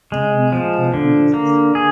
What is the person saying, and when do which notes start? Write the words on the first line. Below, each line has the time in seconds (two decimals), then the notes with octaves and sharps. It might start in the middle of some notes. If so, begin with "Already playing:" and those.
Oh my goodness.
0.12 G#3
0.52 F3
0.94 D3
1.34 A#3
1.75 G#4